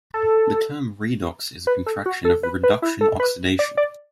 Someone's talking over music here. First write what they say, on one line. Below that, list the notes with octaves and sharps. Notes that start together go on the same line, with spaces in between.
The term "redox" is a contraction of "reduction-oxidation".
A4
B4
A4
F#4
A4
B4
B4
E4
A4
B4
D5
D5